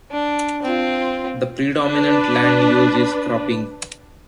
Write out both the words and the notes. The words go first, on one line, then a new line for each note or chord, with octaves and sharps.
The predominant land use is cropping.
D4
C4 F4
D4 B4